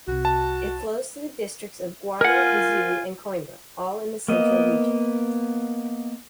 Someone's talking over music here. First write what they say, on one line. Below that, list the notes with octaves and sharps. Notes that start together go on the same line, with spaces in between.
It flows through the districts of Guarda, Viseu and Coimbra, all in Centro Region.
C2 C3 F#4
A5
F4 A#4 F#5 G#5
A#3 B3 D#5